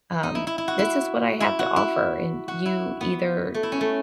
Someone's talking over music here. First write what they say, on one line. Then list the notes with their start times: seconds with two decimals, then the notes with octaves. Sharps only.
um, "This is what I have to offer, and you either,
0.23 D#4
0.35 E4
0.47 E4
0.58 E4
0.68 F#4
0.79 E4
1.40 E4
1.59 F#4
1.76 E4
2.48 F#4
2.66 E4
3.01 B3
3.54 A3
3.63 E4
3.72 C#4
3.81 A3